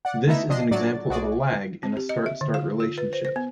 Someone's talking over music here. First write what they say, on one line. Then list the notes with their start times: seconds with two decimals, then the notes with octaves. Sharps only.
This is an example of a "lag" in a Start-Start relationship.
0.05 D5 F#5
0.27 A3 B3 D#4 E4 E5
0.49 C3 F3 D4 D#5 C7
0.71 A2 F#3 D4 F#4 D5 A6
1.09 B1 F#4 G#4 D5
1.83 C4
1.97 G4
2.09 D#5
2.26 E5
2.41 D3
2.54 F5
2.80 F4
2.98 B4
3.13 C5
3.25 C5
3.36 B3